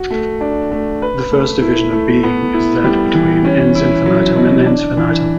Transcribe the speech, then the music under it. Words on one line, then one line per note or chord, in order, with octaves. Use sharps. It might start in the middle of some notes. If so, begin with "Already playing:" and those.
The first division of being is that between "ens infinitum" and "ens finitum".
Already playing: F#4
A3
D4
A3
B4
A3
E4
A3
B3
E4
G3
E3
C#4
E4
F#3
B2
D4
E3